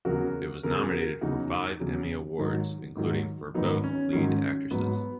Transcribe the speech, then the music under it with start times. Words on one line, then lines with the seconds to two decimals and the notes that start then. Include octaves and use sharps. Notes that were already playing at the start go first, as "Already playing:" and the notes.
It was nominated for five Emmy Awards, including for both lead actresses.
0.05 E2 C#3 F#3 F#4 A#4
0.63 E2 C#3 F#3 A#4
0.75 G#4
0.86 F#4 A#4
1.21 E2 C#3 F#3 D#4 F#4
1.80 E2 C#3 F#3
2.38 G#2 D#3 F#3
2.97 G#2 D#3 F#3
3.54 G#2 D#3 F#3 B3 D#4
3.84 C#4
4.13 G#2 D#3 F#3 C#4
4.71 G#2 F#3 B3